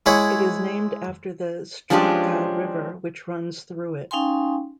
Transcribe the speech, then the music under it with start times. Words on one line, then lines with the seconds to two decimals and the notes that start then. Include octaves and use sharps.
It is named after the Strumica River which runs through it.
0.06 G#3 E4 C#5 F#5
1.90 F3 G#3 C#4 D4 F4 G4
4.11 C#4 D#4 F5 G5 G#5 C6